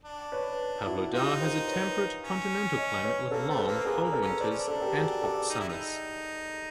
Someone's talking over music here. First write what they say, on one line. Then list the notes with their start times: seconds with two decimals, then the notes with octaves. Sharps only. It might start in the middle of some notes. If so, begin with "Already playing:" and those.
Pavlodar has a temperate continental climate with long, cold winters and hot summers.
0.05 D4
0.32 B4 C#5
0.86 E4 F#4
1.13 D#4 F4 G4
1.40 A#4 C5
1.67 B4 C#5
2.22 C#4
2.77 C#5 D#5
3.04 B4 C#5
3.31 A#3 A4 B4
3.50 A3 C5
3.59 A4 B4
3.67 A#3
3.81 C4
3.85 B3 G#4 A#4
4.02 A#3 A#4
4.12 A4 B4
4.22 C#4
4.40 D4 C5 D5
4.50 C#4
4.60 D4
4.68 A4
4.75 A#4
4.81 G4 A4
4.94 F#4 G#4
5.22 G4 A4
5.50 D#4
5.60 E4
5.69 D#4